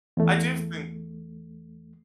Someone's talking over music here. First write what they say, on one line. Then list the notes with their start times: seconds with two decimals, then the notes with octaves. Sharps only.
I do think
0.17 E2 A3